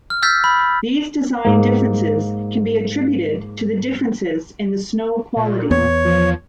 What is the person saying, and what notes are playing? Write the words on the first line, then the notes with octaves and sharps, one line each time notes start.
These design differences can be attributed to the differences in the snow quality.
F6
E6 F6 G6 A6 B6
B5
G#2 A#3
A#2
E2 B3 C#5
F3